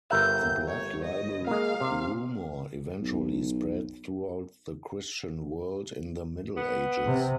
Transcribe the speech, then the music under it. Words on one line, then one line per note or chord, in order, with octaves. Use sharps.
The blood libel rumor eventually spread throughout the Christian world in the Middle Ages.
G1 A#4 E5 G6
C#5
D#5
G#3 A#3 F5
C3
B1
B3
C3